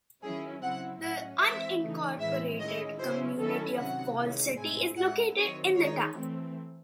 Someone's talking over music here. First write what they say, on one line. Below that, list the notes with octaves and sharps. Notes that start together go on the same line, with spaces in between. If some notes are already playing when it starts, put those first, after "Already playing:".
The unincorporated community of Falls City is located in the town.
D#3 F#3 C#4 E4 G#4
C#3 F#3 C4 E4 F#5
A2 F#3 C#4 F#5
E3 G#3 C4 E4 E5
C#3 E3 A3 D#4
A2 E3 G#3 C4 E4 E5
D#3 G#3 C#4 E4 D#5
C#3 F#3 C#4 E4 C5
D#3 F#3 C#4 E4 A4
C3 D#3 F#3 F#5
D#3 G#3 C#4 E4
A2 G#3 C4 E4 G#5
A2 G#3 C#4 E4 F#5
D#3 F#3 C4 C#5
D#3 G#3 D#4 C#5
E3 A3 C4